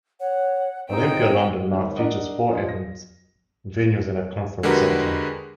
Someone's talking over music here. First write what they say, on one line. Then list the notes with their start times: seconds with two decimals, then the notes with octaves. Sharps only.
Olympia London now features four event venues and a conference centre.
0.20 C#5 F#5
0.90 G#3 B3 C4 D#4 C5 D#5 G5
1.73 G#2 D#3 G3
1.96 D4 A#4 D5 D#5 F#5
2.49 F3 D4 F4 C5 D#5
2.68 A#6
4.63 D3 G#3 F#4 G4 A#4 B4